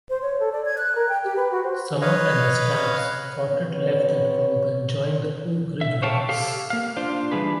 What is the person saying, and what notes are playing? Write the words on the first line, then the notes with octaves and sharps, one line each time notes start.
Sumner and the Stamps Quartet left that group and joined the Oak Ridge Boys.
C5
C#5
A4
D5
G#6
F#6
A#4
G5
G4
B4
F#4
C5
B4 C#5 D#5 F5
C3 B3 C#5
E5
C5 C#5 F5 G5 A5
G4 A4 F5
A#3 F5
D4 F4 C5
E3 G3 D4 G#4 B4